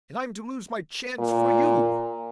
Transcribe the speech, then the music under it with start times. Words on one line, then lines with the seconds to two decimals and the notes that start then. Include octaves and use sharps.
And I'm to lose my chance for you!
1.19 A#2